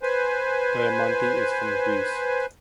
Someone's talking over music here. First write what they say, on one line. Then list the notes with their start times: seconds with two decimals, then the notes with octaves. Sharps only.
Diamanti is from Greece.
0.03 B4 C5 G#5